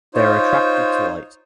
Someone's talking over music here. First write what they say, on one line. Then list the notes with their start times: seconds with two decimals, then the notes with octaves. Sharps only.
They are attracted to light.
0.14 D#4 F4 C5 C#5